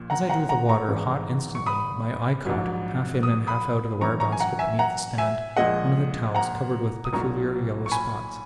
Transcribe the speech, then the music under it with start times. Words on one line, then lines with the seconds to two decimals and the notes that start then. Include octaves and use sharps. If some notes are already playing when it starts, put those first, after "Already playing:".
As I drew the water, hot instantly, my eye caught, half in and half out of the wire basket beneath the stand, one of the towels covered with peculiar yellow spots.
Already playing: A#1 A#2
0.10 F#5 A#5
0.30 F#5 A#5
0.49 F#5 A#5
0.69 A#5 C#6
0.89 G#1 G#2 E3 G#3
1.55 C#6
1.66 B5 D#6
2.45 A#1 G#2 F#3
3.23 D#6
3.47 B5 D#6
4.01 G#1 F#2 E3 A#5 C#6
4.20 A#5 C#6
4.32 G#5
4.40 F#5 A#5
4.59 E5 G#5
4.79 F#5 A#5
5.18 E5 G#5
5.57 A#1 A#2 G#3 D#5 F#5
6.35 F#5 A#5
7.05 D#6
7.13 B1 A#2 F#3 A#5 C#6
7.86 C#6
7.91 G#5 B5